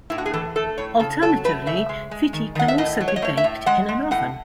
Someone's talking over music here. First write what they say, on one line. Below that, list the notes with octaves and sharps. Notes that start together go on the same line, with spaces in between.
Alternatively, phitti can also be baked in an oven.
A2 E4
F#4
G#4
E3 A4
A3 A4
A2 C#5
C#3 A4
F#3 A4
A3 B4
C#3 E5
G#3
G#3
D#3
D#3 F#5
E5
A2 D#5
F#3
C#5
D#5
A3 C#5
E5
A2
G#3 F#5
G#3
A2 F#5